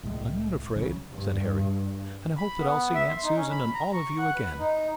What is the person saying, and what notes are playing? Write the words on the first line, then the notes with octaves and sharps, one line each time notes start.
"I'm not afraid," said Harry, "and I hope that I'll see Aunt Susan and all of you again."
C2 A2 G3 G#3
F1 C#2 C#3 F#3
G2
B5
B3
E5
C6
D#4
C#4
B5
A#5
C#6
F#5
B4
D#4